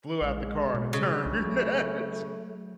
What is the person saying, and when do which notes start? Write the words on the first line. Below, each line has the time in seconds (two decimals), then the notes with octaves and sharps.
flew out the car on a turn. Its
0.21 A#1 G#3
0.74 B2
0.93 C#3
1.26 C2 D4
1.46 F#3 A3